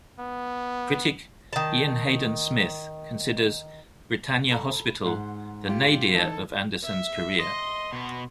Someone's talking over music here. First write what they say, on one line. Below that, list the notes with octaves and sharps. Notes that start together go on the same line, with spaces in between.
Critic Ian Haydn Smith considers "Britannia Hospital" the "nadir" of Anderson's career.
B3
D#3 A5
A4 A#5 B5
G#2 F#5 C6
F4 G4
E3 D#4 A4 G#6
E5
D#5 C6
B2 B3